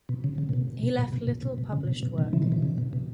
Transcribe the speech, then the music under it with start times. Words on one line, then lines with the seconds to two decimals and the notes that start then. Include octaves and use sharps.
He left little published work.
0.09 B2
0.24 C#3
0.38 C#3
0.49 A#2
0.53 B2
0.83 B2
0.99 A#2
1.13 B2
1.27 A#2
1.43 B2
1.58 B2
1.72 C#3
1.87 B2
2.03 B2
2.18 B2 D#3
2.33 C#3 E3
2.42 B2 D#3
2.52 B2
2.62 C#3
2.78 B2
2.93 B2